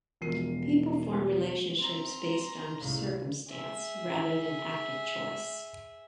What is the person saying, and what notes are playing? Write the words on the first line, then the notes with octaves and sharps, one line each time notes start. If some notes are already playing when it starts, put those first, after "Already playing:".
People form relationships based on circumstance rather than active choice.
E1 B2 F3 A#4 C7 D#7
C4 A#5 C6
C2 A2 C#3
G#4 E5